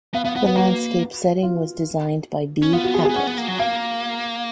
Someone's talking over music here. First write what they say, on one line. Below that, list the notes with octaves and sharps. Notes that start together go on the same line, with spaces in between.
The landscape setting was designed by B. Hackett.
B3 F5
B3 F5
B3 F#5
B3 B4
A#3 F#4
F4
C#4
B3 F4
F#4
G#4
G#4
B3
C#4 F#5
B3
A#3
F#3
A#3 F5